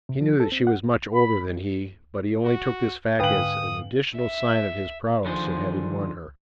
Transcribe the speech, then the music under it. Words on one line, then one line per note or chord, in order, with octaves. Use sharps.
He knew that she was much older than he, but he only took this fact as an additional sign of his prowess in having won her.
C3
F3
A4
C4
F#5
B5
F#4
G#2 D3 B4 F5 G5 G#5 D#6 F#7
E5
D3 D#3 F3 G#4 C5